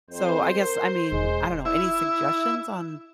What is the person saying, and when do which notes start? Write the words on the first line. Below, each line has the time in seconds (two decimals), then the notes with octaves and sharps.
So, I guess I mean, I don't know, any suggestions on
0.10 F2 C5
0.55 A#4
1.12 E1 G#3
1.65 E4